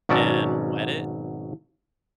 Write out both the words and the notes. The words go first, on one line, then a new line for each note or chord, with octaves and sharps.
and wet it,
G#1 B2 F#3 C#4 D5 A5